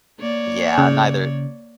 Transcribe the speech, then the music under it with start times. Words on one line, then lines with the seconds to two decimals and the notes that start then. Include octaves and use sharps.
Yeah, neither
0.20 A#3 C#5 D5
0.78 C#3